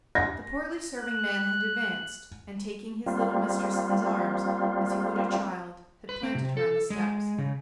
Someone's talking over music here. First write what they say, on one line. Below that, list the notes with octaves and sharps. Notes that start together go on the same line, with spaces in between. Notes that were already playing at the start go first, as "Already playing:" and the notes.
The portly serving-man had advanced, and, taking his little mistress in his arms, as he would a child, had planted her on the steps.
A#6
F#6
G3 A#3 C4 F4
B4
C4
C3
A4
G#3
C#3